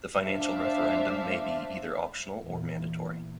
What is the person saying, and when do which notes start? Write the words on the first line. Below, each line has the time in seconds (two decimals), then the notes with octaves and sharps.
The financial referendum may be either optional or mandatory.
0.18 G#3 D4 C5 E5 F5
2.41 E2 A#2